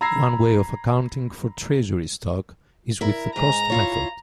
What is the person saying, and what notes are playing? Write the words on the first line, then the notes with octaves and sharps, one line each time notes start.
One way of accounting for treasury stock is with the cost method.
A#5 B5 E6 G#6 A#6 C7
E4 A#4
G#2 G#3 A#5
E4 F4 C#5